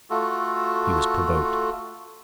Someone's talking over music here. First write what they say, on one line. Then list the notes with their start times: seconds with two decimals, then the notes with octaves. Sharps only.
He was provoked.
0.10 A3 F4 F#4 A4